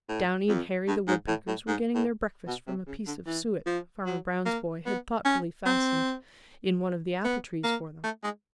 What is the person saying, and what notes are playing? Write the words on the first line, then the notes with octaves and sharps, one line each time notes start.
Downy and Hairy the Woodpeckers were getting their breakfast from a piece of suet Farmer Brown's boy had thoughtfully fastened in one of the apple-trees for them.
A2
F2
G2
G#2
A2
A2
G#2
A2
B2
C3
C#3
D3
E3
F3
F#3
A#3
B3
C#4
C4
B3
A#3
A3
G#3